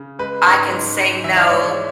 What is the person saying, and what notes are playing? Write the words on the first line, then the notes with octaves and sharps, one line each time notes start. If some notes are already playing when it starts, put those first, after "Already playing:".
I can say, "No."
Already playing: C#3
G#3 B4
G#2
G#2
G#2
E3 E5
D5
G#3 C#5
C#5